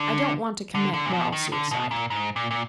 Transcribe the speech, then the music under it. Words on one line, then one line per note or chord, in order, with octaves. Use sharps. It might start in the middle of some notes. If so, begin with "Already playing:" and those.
I don't want to commit moral suicide.
Already playing: D3
D3
D3
A#2
B2
D#3
D3
B2
A#2
G#2
A#2
A#2